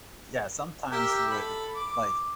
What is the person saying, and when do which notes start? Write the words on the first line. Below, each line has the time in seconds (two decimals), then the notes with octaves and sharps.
Yeah, sometimes the like,
0.92 G4 A#4 E5
1.31 A4 B5
1.75 D6